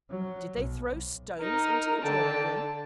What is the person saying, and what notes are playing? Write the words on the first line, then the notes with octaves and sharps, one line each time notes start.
Did they throw stones into the drawing-room?'
F#3
B1
D#4 A#4
D3 G5 A5